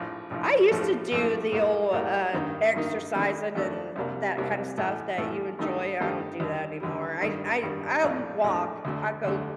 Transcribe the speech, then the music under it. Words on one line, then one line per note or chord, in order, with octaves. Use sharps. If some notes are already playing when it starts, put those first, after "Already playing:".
I used to do the old, uh, exercising and that kinda stuff that you enjoy, I don't do that anymore. I I I'll walk, I go
Already playing: A#1 A2 F3
A#1 A2 F3
A#1 A2 F3 A3
A#1 A2 F3 A3
A2 G3 A#3
A2 G3 A#3
G2 D#3 A#3 D#4
G2 D#3 A#3 D#4
F2 D#3 A3 D4
F2 D#3 A3 D4
C2 C3 G3 A#3
C2 C3 G3 A#3
A1 A2 A3
A1 A2 A3
G2 D#3 A3 D#4 G4
G2 D#3 A3 D#4 G4
D#2 D3 G3
D#2 D3 G3
G2 D#3 G3
G2 D#3 G3
A#1 A2 A3 D4 F4
A#1 A2 A3 D4 F4
D2 D3 A3
D2 D3 A3